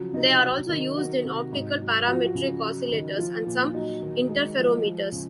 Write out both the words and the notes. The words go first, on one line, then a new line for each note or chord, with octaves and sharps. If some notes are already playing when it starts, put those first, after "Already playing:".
They are also used in optical parametric oscillators and some interferometers.
Already playing: C#3 F3 F#3
C3 D#4
F#3
D#3
F#3 F#4
C3
G#2
F#3
F3 F#4
F4
F#4
C#3
F#3
D#3
F3 F4
A#2
F4
F#3 D#4
D#3
G#3
F3
F3
C#3